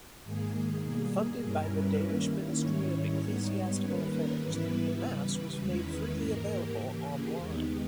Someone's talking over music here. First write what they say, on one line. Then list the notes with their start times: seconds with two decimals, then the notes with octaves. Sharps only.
Funded by the Danish Ministry Ecclesiastical Affairs, the Mass was made freely available online.
0.24 G#2 D#3 A#3 G#4
0.83 B2 G3 A#3
1.42 G2 G3 C#4 E4 A#4
1.73 B4
2.02 D#3 A#3 C#4 E4
2.61 G#2 D#3 G3 C#4 E4 C#5
3.21 G#2 G3 B3 D#4
3.80 D#3 G3 A#3 C#4 B4
4.11 A#4
4.40 G#2 E3 G3 B3 E4 B4
4.69 B4
4.99 C#3 E3 G3 B4
5.59 E2 D#3 G#3 C#4 E4
6.18 G#2 E3 A#3 A#4
6.48 G4
6.78 C#3 E3 A#3 G4
7.08 G#4
7.37 E2 D#3 G#3 B3 D#4 G4